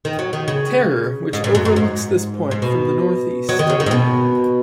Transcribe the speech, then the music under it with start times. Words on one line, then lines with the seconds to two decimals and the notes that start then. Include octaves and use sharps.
Terror which overlooks this point from the northeast.
0.05 D#3
0.19 F#3
0.33 D#3
0.48 C#3
1.33 G#2
1.44 G#2
1.55 F#2
1.65 F#2
1.76 G#2
2.51 G#2
2.62 B2
3.49 F#3
3.59 D#3
3.70 C#3
3.80 D#3
3.86 G#2
3.91 B2